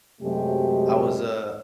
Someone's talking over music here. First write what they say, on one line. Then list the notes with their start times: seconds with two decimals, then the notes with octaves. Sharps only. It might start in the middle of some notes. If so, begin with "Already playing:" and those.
I was, uh
0.22 F#2 C3 F#3 G#3 A3 G4